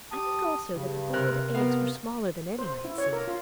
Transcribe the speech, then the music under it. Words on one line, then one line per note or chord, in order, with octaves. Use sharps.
I think also that the boiled eggs were smaller than any I had seen.
G4 A5 D#6
G2 C#3
C3 A#4 F#6
B3 A#4 F5
C5
E4
C#5
A#4
F4